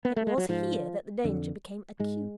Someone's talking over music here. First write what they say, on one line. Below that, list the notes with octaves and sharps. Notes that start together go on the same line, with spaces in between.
It was here that the danger became acute.
B3
A3
G#3
F#3
G#2 F3
F2 D3
G#2 G#3